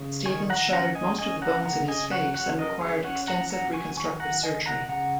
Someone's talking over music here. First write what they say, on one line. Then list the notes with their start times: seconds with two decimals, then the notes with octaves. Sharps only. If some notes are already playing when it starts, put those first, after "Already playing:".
Stevens shattered most of the bones in his face and required extensive reconstructive surgery.
Already playing: C#3
0.26 D#3 G#5 C#6
0.50 F#5 A#5
0.72 C#4 F#5 A#5
0.95 D#5 G#5
1.19 C#4 D#5 G#5
1.42 F#5 A#5
1.65 C#3 F#5 A#5
1.88 D#5 G#5
2.11 F#3 C#5 F#5
2.34 C#5 F#5
2.58 C#4 A#4 D#5
2.81 G#4 C#5
3.04 C#4 C#5 F#5
3.27 F#5 A#5
3.50 F#3 F#5 A#5
3.73 G#5 C#6
3.97 D#3 G#5 C#6
4.20 F#5 A#5
4.43 D#3 D#5 G#5
4.66 F#5 A#5
4.89 C#3 F#5 A#5